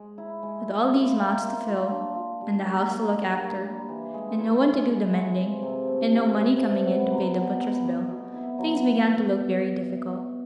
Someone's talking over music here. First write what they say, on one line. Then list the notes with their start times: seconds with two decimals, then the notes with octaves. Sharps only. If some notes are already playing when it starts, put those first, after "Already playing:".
With all these mouths to fill, and the house to look after, and no one to do the mending, and no money coming in to pay the butcher's bill, things began to look very difficult.
Already playing: G#3
0.18 E4
0.43 G#3
0.67 E4
0.92 F4
1.16 A#3
1.42 A#3
1.67 F4
1.91 D4
2.16 F4
2.41 G3
2.65 A#3
2.90 A#3
3.15 G3
3.39 A#3
3.64 G3
3.88 E3
4.14 G#3
4.38 E4
4.63 G#3
4.88 G#3
5.13 G#3
5.37 C3
5.62 C3
5.87 A3
6.12 E3
6.37 C3
6.62 C3
6.86 B3
7.11 F#3
7.35 B2
7.60 B3
7.84 B2
8.09 B2
8.34 E4
8.58 F#3